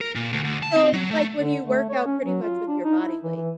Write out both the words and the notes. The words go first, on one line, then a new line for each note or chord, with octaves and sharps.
so it's like when you work out pretty much with your body weight,
A#4
A#2
D2
D2
A5
C4
F#3
A3
D3
A3
C#5
C#4
F#3
F4
D4
D#4
E4
E3
E3